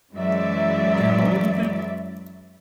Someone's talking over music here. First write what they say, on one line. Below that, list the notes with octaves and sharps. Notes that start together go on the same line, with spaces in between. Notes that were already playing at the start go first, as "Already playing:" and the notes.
The whole of it?.
F#2 E3 F#3 G#3 D5 E5